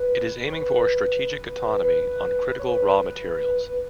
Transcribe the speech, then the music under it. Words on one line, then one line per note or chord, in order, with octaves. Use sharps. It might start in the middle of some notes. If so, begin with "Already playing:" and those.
It is aiming for strategic autonomy on critical raw materials.
Already playing: B4
C#5
B4
B4
B4
C#5
B4